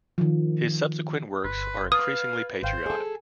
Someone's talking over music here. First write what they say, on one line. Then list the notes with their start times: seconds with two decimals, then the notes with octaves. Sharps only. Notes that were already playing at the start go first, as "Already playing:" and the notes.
His subsequent works are increasingly patriotic.
0.18 D#3 F3
1.44 G1 B4 C6
1.92 B4 F5 D#6 G#6 A6
2.63 G#1 C5 F5 G5
2.86 G#4 A4 G#5